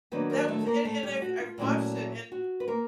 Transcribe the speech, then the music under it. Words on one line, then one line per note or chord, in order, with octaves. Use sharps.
That was and and I've I've watched it, and
D#3 F#3 A#3 B3 D4 B4
A#3 A#4
A3 A4
A4
A#3 A#4
A3 A4
G3 G4
F#4
F4
A#2 F#3 A3 C#4 E4
F#4
B4
A#3 A#4